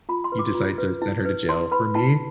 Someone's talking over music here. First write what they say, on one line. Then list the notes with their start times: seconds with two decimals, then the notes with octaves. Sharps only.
he decided to send her to jail, for me,
0.09 F4 B5
0.24 C6
0.32 B4
0.39 D6
0.55 F4
0.78 B4
1.02 E4
1.25 B4
1.49 E4 C6
1.71 B4 B5
1.95 E4 A5